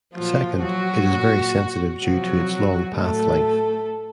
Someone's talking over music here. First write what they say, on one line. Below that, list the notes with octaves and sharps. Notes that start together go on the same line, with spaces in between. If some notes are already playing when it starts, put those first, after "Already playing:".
Second, it is very sensitive due to its long pathlength.
A#2 F3 F#3 F4
F#3 F#4
A#2 F#3
C3 F3 F#3 F#4
A2 F#3 A3 A4